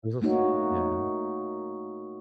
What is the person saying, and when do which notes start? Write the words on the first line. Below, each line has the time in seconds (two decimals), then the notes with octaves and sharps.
This was Yeah.
0.22 A3 A#3 D#4 F#4 C#5